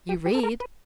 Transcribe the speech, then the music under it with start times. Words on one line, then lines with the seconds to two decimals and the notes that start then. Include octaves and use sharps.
"You read."
0.09 G4
0.26 G4
0.35 A4
0.43 A#4
0.60 B4